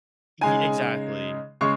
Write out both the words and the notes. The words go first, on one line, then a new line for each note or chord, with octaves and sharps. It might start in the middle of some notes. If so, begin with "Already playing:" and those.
ye exactly.
C#3 G#3 D#4 G#5
C#3 G#3 C#6